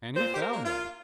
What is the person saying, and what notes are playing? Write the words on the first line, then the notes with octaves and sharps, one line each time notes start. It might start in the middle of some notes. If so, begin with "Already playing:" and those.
And he found them.
A#2 C5
G4
A#4
A#3 D4
F4